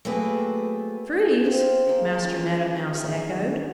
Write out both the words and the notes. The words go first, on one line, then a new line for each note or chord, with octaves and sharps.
"Trees!" Master Meadow Mouse echoed.
F#3 A3 A#3 C4 G#4 B4
C4 C5 F5
G#3 A#3
C#4 F4
D#3 G#4 E5 C#6